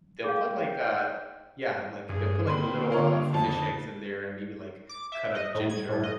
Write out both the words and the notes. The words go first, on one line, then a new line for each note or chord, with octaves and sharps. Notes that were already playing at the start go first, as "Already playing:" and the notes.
they'll put, like, a Yeah, like, they'll put, like, the little, uh, fish eggs in there and maybe, like, cut up ginger.
G#4 F5 G5
G2 G#4
D3 A#3 C4 B5 C6
F4 A#4 C#5
F2 A5
D6
E5
D#5
A2
G#6
A2
D#5